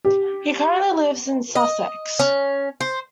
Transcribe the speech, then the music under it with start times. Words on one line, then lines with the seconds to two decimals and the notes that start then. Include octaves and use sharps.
He currently lives in Sussex.
0.05 G4
1.55 D#5
2.19 C#4
2.81 C5